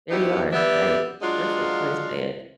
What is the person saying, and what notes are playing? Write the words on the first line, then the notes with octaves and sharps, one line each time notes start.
There you are, right, perfect way to say it.
B3 D#4 E4 F#4 G4
G3 B3 D5 E5
F#3 G#3 D4 F4 F5